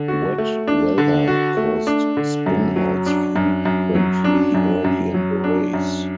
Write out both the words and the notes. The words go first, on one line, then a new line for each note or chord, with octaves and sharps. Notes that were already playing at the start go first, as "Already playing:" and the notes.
Wet weather caused spinouts frequently early in the race.
Already playing: D3
F#4
A3
D4
D3
F#4
A3
D4
D3
F#2
F#3
D4
F#2
F#2
F#3
D4
F#2
F#2
F#3
D4
F#2